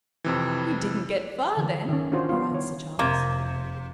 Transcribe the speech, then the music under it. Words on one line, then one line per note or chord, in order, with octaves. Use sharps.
"He didn't get far, then!" cried Sir Charles.
F2 C3 E3
D3 E3 A#4
D#3 C#4
C#4 D4 F4 F#4 C5
G3 B3 E4 F4
D#3 C#5
F1 C3 A#3